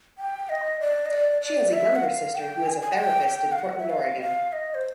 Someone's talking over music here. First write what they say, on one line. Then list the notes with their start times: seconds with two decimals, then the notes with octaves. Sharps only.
She has a younger sister who is a therapist in Portland, Oregon.
0.18 G5
0.49 D#5
0.80 D5
1.06 D#5
1.11 D5
1.42 D5
1.73 E5
1.96 F#5
2.04 F5
2.35 G5
2.66 G#5
2.82 G#5
2.93 F#5
2.98 G5
3.28 G5
3.52 F5
3.59 F#5
3.79 E5
3.90 F5
4.21 F5
4.53 D#5
4.75 C5